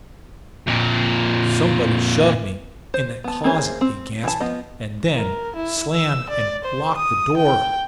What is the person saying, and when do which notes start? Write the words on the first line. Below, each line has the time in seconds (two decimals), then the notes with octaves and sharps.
"Somebody shoved me--in that closet," he gasped, "and then--slammed and--locked--the door."
0.67 F2 A#2
2.94 C5
3.24 B3 A5
3.44 A#3 C4 C#4 G#4 C5
3.81 C4
4.24 E3 A5
4.40 F3 B3 D#5
5.17 A#4
5.56 E4
5.92 E6
6.30 D5
6.64 C5
6.97 D#6
7.37 G5